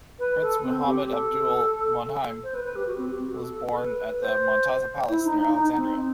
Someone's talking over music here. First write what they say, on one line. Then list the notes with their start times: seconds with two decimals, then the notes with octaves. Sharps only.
Prince Muhammad Abdul Moneim was born at the Montaza Palace, near Alexandria.
0.19 B4
0.41 A4
0.64 C4
0.87 G4
1.09 A4
2.43 C5
2.54 B4
2.64 B4
2.76 G4
2.87 F#4
2.98 C4
3.10 G4
3.21 F#4
3.33 A4
3.72 A4
3.77 B4
4.21 C5
5.10 E4
5.25 D#4
5.40 D#4
5.54 D#4
5.77 C4